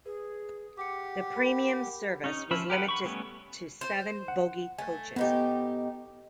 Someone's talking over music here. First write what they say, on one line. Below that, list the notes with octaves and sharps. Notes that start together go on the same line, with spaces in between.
The premium service was limited to seven bogie coaches.
G#4 B4
G4 F#5 D6 C#7
A#4 G5 B5
G4
C#4 D#4
F3 C#4 A#4 E5 B5
G4 A#4 B4 F#5
B5 C#6
G3 A3 B3 C#4
C5
F#5
A3 G#5
A2 B3 D#4 G4